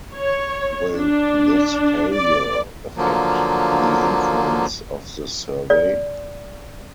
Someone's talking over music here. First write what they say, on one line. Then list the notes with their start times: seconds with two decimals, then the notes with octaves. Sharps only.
Will this failure affect the influence of the survey?
0.16 C#5
0.94 D4
2.14 D5
2.97 D3 F3 F#3 A#3
5.70 D5